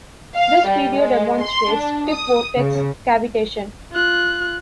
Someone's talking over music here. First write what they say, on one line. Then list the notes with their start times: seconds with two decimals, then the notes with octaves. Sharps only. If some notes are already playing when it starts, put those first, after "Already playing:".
This video demonstrates tip vortex cavitation.
0.36 F5
0.68 G3
0.98 G#3
1.42 C6
1.74 D4
2.11 D#6
2.57 C#3
3.92 F4 F#6